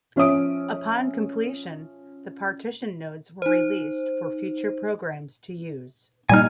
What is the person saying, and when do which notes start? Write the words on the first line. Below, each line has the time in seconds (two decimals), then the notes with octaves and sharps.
Upon completion, the partition nodes were released for future programs to use.
0.16 F3 C#4 C#5 E5 D#6 D7
3.42 D#4 C5
6.29 A#2 G3 D#4 G#5 F6